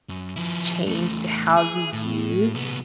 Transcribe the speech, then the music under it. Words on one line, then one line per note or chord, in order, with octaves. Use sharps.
changed how you use,
F#2
F3 E4
E2 A3
G#4
A2
C2 B3